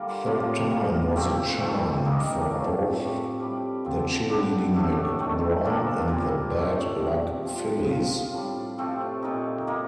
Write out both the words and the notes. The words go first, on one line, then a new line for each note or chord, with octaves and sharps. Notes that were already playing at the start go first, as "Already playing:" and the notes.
Third time was the charm for both the cheerleading McGraw and the bad-luck Phillies.
Already playing: D3 G3 A#3 F4
C3 F3 A#3 F4
C3 G3 A#3 F4
A#2 A3 C4 G4
A#2 A3 C4
D#3 G3 A#3 D#4
A2 F3 A3 D4
A2 G3 C4
G3 D4 G4
D3 F3 C4
D3 G3 D4 G4
A2 A3 D4 A4
D#3 A3 C4
F3 A#3 D4 A4
A#2 G3 C4
A2 F3 A3 D4
A#2 G3 C4
C3 F3 C4
F3 C4 F4
A2 G3 D4
C3 F3 A3 C4
A#2 A3 D#4
F3 A#3 D#4